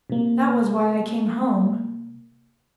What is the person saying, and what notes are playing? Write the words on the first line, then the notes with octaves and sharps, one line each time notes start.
That was why I came home.
C3 A#3